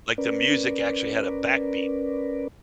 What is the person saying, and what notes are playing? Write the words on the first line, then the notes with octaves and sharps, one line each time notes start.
Like the music actually had a backbeat.
C#4 A#4 B4 D5